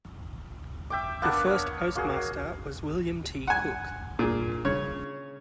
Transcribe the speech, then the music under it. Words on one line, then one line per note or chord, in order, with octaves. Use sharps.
The first postmaster was William T. Cook.
E5 G5 D6
A#3 B3 D4 F#5
C#5 F5
A#3 F#4 G#4
F#5 G#5
A#2 G#4
C#3 C#5